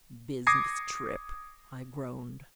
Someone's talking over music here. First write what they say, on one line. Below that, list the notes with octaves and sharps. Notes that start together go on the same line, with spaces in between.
"Business trip!" I groaned.
D6 D#6 G#6 A#6 C7 C#7